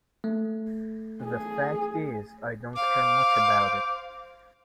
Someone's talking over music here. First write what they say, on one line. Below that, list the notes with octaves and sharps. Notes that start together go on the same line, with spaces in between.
The fact is, I don't care much about it.
A3
G#4
C5 F5 D6